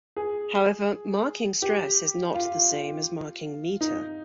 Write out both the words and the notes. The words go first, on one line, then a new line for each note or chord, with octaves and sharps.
However, marking stress is not the same as marking meter.
G#4
G4
F4
D#4